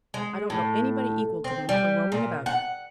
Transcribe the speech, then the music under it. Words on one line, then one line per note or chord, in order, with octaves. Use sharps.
I don't know anybody equal to them for roaming about.
G#3
A2
C4
G3
A#2
F#5